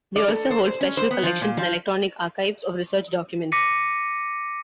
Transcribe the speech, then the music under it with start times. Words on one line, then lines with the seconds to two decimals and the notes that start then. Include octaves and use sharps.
They also hold special collections and electronic archives of research documents.
0.16 D5
0.28 A4
0.50 C5
0.65 C5
0.81 C#4
0.97 C5
1.11 B3
1.23 F3
1.41 A#2
1.57 F3
3.52 D6 A#6 B6 C#7 D#7